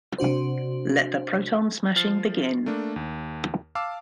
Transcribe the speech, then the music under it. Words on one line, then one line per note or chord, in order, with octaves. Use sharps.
Let the Proton Smashing Begin.
C3 D4 F#4 C5
F3 F6 A6 C7
A3 A#3 D4
D#2
F5 A5 D6 E6